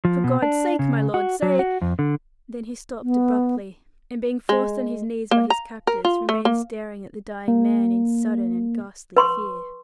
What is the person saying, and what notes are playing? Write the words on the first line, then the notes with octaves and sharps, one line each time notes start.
"For God's sake, my lord say--" then he stopped abruptly, and being forced on his knees by his captors, remained staring at the dying man, in sudden and ghastly fear.
F3
B2
D4
C#3
F#4
F#3
F#4
F2
D3
B3
G#3
A#3
A#5
A#4
F4
A3
A#3
A#3
B4 C6 C#6